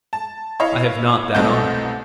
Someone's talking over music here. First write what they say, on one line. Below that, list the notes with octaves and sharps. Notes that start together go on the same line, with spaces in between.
"I have not that honor."
A5
E4 C#5 D#5 F5
C2 B2 A3 C4 D#4 G6